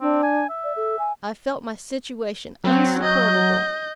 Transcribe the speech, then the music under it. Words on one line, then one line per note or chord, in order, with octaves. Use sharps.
I felt my situation unsupportable.
C4 D4
G#5
E5
D5
A4
G#5
F#3 C4
D#5 G6